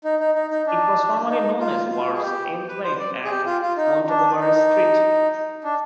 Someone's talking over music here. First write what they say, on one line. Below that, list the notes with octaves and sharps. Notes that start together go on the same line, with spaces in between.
It was formerly known as Worlds End Lane and Montgomery Street.
D#4
D#4
D#4
D#4
D4
D#4
F4
F4
G#4
G4
B4
C5
D5
G#4
G4
F4
F4
D#4
D4
D#4
D4